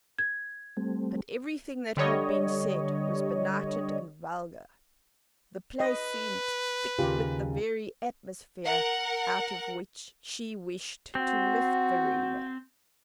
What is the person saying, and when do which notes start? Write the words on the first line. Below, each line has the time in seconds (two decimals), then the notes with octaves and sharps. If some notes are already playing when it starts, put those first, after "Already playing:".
But everything that had been said was benighted and vulgar; the place seemed thick with the very atmosphere out of which she wished to lift Verena.
0.19 G#6
0.77 G3 A3 C4
1.97 D3 G3 C#5 D#5
5.80 B4 D#5
6.99 D#2 C#3 F4 G4
8.64 A#4 F#5
11.15 C4 F#4